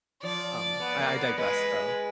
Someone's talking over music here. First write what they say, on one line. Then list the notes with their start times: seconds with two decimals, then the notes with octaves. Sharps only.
um, I I digress, though,
0.22 F3 D5
0.80 B3
1.00 A#3
1.19 B3
1.38 G#3 B4